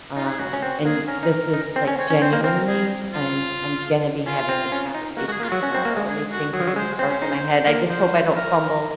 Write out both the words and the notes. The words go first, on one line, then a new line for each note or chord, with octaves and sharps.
um, and this is, like genuinely, I'm I'm gonna be having these conversations tomorrow, and these things are gonna spark in my head, I just hope I don't fumble,
D#4 F4
G#4
C#4 F#4
C#4
C4 F#4
A#3 G#4
C#4 A#4
D#4
D#4
C4
C#4
C4 C#5
C#4 C#5
C4 C5
A#3
C4 A#4
G#4
F4
C#4 F4
C4
C#4
D#4
A#3 F#4
G#3 F#4
G#4
A#3
F4
F#3 F#4
C#4
C4
A#3
G#3
G#4
F#4
F#3 G#4
F3
F#3
G#3 C5
C4 C5
C#4
D#4
C#4
A#3
F3 C5
A#4